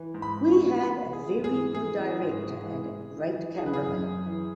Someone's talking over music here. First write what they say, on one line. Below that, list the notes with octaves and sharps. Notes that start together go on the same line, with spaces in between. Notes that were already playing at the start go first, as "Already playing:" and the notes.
We had a very good director and a great cameraman.
Already playing: E3
G#2
B5
E3
C#6
E3
E3 B5
E3
G#4
G#2
G#4
E3
E3 G#4
E3
G#2
G#2
E3
E3
E3
E3
E3 G#4
B4
G#4
F#2
F#2
E3